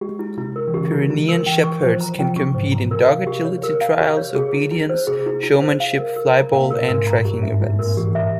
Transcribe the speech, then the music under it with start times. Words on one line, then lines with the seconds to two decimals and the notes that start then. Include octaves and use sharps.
Pyrenean Shepherds can compete in dog agility trials, obedience, showmanship, flyball, and tracking events.
0.01 G#3 G4
0.19 E4
0.37 C3 E4
0.56 A#4
0.67 E3
0.73 C#3 G4
0.92 E4
1.10 E3 E4
1.28 A#4
1.46 E3 G5
1.64 C#6
1.82 F3 C5
2.01 A#5
2.19 F3 G5
2.36 C3 C#6
2.54 G#2 C5
2.72 A#5
2.91 C3 A#4
3.09 F5
3.27 G4
3.45 C#5
3.63 A#4
3.81 F5
4.00 G4
4.17 C#5
4.35 G#4
4.53 E4
4.71 E4
4.90 C5
5.07 C3 G#4
5.26 E4
5.43 E4
5.62 C5
5.80 F5
5.98 A#4
6.16 A#4
6.34 A#5
6.52 A#2 F5
6.70 A#4
6.88 G#2 A#4
7.07 A#5
7.25 G2 G4
7.42 G#2 E5
7.61 G#2 E4
7.79 A#2 A#4
7.97 E3 G4
8.15 E5